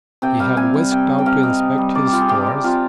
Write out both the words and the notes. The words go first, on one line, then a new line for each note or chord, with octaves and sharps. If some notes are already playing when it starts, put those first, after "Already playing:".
He had whisked out to inspect his stores.
C3 G5
G3 F5
C3 G#5
G3
C3 G5
G3
G5
C3 F5
G3 D#5
C3
G3
C3 D5
G4
G3 F4
G#4
C3 G4
G3
C3 F4